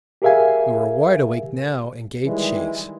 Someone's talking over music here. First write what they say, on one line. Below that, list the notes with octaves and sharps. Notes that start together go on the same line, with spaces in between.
We were wide awake now and gave chase.
G4 G#4 A#4 E5 F5 G#5
D#3 E3 G3 G#3